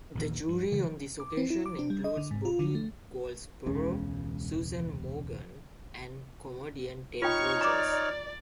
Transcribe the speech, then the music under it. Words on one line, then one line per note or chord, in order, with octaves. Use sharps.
The jury on this occasion included Bobby Goldsboro, Susan Maughan and comedian Ted Rogers.
A#1 D#2 E3
G2
G2 C#3 E3 F3
D6
C4
E4
D6
D4
G3
D#5
D3
G#2
F4
D3
A3
E1 C#2 C#3
D#4 F4 C#5 G5 C#6 F6
D5 A#5 D6